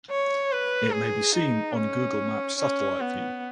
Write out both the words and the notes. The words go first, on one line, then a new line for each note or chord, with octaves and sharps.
It may be seen on Google maps satellite view.
C#5
B4
G#4
D#4
C#4
C#4
B3